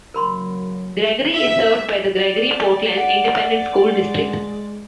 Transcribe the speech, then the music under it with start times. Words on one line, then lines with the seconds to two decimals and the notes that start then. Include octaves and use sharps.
Gregory is served by the Gregory-Portland Independent School District.
0.14 C#3 F#3 A#3 A#4 B5 C6
1.32 E5
2.16 D5
2.97 F#5 D7
3.82 G#3